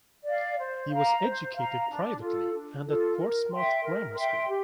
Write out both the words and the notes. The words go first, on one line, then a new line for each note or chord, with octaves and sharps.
He was educated privately and at Portsmouth Grammar School.
D5 F5
C5
F5 A#5
C5
F5 A#5
D4
F4 A4
D4
F4 A4
A#4
E5 G5 C6
A#4
E5 G5 C6
G4